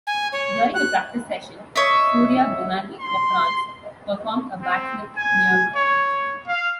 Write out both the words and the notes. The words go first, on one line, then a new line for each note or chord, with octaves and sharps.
During a practice session, Surya Bonaly of France performed a back flip near her.
G#5
C#5
F#6
C#5 D#5 E5
C6
C4
G#5
C#5
F5